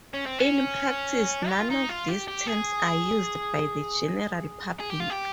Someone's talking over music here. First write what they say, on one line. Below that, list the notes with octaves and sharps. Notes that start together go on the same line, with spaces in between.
In practice, none of these terms are used by the general public.
C#4
C4
C#4
G4
F4
D#4
F4
G4
G4
G#4
G#4
G4
F4
G4